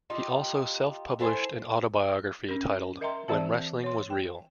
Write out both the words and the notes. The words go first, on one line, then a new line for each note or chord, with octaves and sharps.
He also self-published an autobiography titled "When Wrestling Was Real".
D#4 F4 G4
E4 A4 C5 G#5
C#4 A#4
A#4 D#5 E5 G5 A#5 C6
E3 C4 G4 C5 E5 A5
C#5 C6
G5